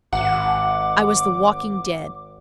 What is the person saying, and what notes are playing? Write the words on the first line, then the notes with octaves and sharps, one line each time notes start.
I was the walking dead.
G#1 F#5 D6